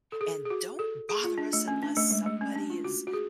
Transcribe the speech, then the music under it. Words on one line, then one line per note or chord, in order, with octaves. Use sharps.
and don't bother us unless somebody is
A4
G#4
G#4
F#4
A4
G#4
F4
D4
A3
C#4
D4
A3
G#3
A3
C#4
D4
F4
F#4
F#4
G#4